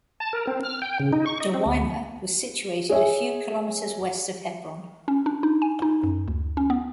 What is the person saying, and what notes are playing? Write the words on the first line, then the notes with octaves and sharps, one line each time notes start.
Dawayima was situated a few kilometres west of Hebron.
A5
A#4
C4
F6
G5
C#3
D#4
C#6
D#5
C4
D2
G#4 C#5 E5 G#5
C#4
D4
D#4
G#5
D#4
F#2
D2
C#4
B3